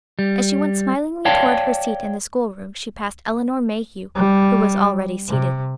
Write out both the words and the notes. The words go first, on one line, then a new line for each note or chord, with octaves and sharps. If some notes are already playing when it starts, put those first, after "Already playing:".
As she went smilingly toward her seat in the schoolroom she passed Elinor Mayhew, who was already seated.
G3
C#5 D5 F5 G5 A5
G3
C3